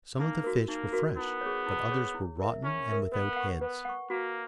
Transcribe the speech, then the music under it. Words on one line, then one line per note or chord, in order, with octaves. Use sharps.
"Some of the fish were fresh, but others were rotten and without heads."
A#3 D#4
F#4 A#4
A#3 D#4
F#4 A#4
B3 E4
G#4 C#5
E4
G#4 C#5
E4
A#4 E5
C#4 E4
A#4 E5
B3 B4
F#5 C#6
B3 B4
F#5 C#6
A#3 F#4